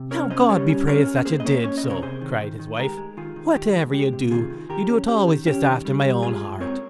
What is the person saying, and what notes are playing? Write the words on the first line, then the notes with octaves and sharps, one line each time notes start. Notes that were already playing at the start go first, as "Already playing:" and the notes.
'Now, God be praised that you did so!' cried his wife; 'whatever you do, you do it always just after my own heart.
Already playing: C3
C#4 A#4 C#5
C#4 C5 D#5
G3 A#4 C#5
C#4
C#4 A#4 C#5
C#4
A#3 G#4 C5
D#5
A#3 A#4 C#5
C#4 C#5
D#5
C3
A#4 C#5
C3 G#4 C5
D#3
D#3
D#3
G#3 G4 A#4
G#3
D#3 F4 G#4
D#3
D#3 G4
G#3
G#3 G4
C3
D#3 F4 G#4
D#3
D#3 G4 A#4
C#4
C#4 G4
D#3
C#4 G4
D#3
G3
G3
G#2 F4 G#4
G#2
C4 A#4 C#5